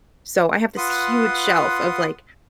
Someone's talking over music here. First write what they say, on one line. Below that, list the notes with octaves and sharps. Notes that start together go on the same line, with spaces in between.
So, I have this huge shelf of, like,
F4 B4 F#5 C6 D#6